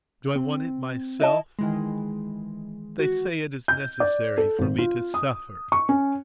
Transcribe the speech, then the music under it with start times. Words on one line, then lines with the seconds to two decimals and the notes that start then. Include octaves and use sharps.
Do I want it myself? They say it is necessary for me to suffer!
0.36 C4
1.20 E4 D#5 A5
1.59 D#3 E3 G#3
2.99 F#4
3.68 G6
4.00 D5
4.38 A4
4.59 G#1
4.79 F4
5.14 D#6
5.72 C#6
5.89 C#4